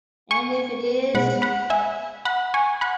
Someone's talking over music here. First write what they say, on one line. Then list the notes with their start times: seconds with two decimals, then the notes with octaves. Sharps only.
And if it is?
0.31 G#5 C#6
1.15 B2 G#3 F#5 B5
1.42 F#5 B5
1.70 E5 G#5
2.25 F#5 B5
2.54 G#5 C#6
2.81 F#5 B5